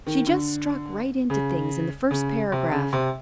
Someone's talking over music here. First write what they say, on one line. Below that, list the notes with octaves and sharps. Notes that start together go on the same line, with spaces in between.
She just struck right into things in the first paragraph.
D#3
D3
C#3
C#3
C3
C#3
C3